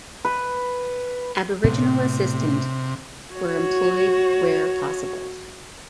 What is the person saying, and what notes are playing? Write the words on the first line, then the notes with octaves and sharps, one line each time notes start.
Aboriginal assistant were employed where possible.
B4
A2 C3 B3
F#4 C#5